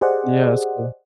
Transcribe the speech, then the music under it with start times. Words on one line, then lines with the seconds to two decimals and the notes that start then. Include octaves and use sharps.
Yeah, that's cool.
0.01 G4 G#4 C5 D5 D#5 F#5